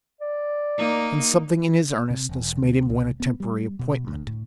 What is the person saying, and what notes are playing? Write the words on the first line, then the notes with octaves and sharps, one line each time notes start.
And something in his earnestness made him win a temporary appointment.
D5
A#3 D#4
C3
E1
D2
C2
B3
G3
B2
D2
A2